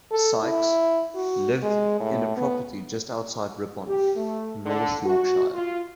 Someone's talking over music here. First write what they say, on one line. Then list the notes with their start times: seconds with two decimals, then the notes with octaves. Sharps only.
Sykes lived in a property just outside Ripon, North Yorkshire.
0.11 A4
0.43 E4
1.15 F#4
1.63 G#3
2.00 A2
2.37 B3
3.87 G4
4.16 A3
4.66 D3
5.04 F#4
5.53 F4